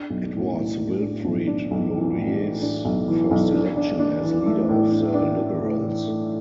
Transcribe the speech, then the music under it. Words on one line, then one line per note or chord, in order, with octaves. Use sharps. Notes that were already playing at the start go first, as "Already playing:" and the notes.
It was Wilfrid Laurier's first election as leader of the Liberals.
Already playing: D4
B1
A2
A2
A2
D4
B1
D4
B1
E3
A2
A2
D4
B1
E3
B1
D4
D4
D4
E3
A3
A2
D4
D4
D4
A2
E3
A3